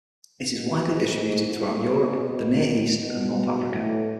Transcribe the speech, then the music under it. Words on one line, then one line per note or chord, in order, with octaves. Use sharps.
It is widely distributed throughout Europe, the Near East and North Africa.
B2
G#2
G#2
A2
B2
B2
A2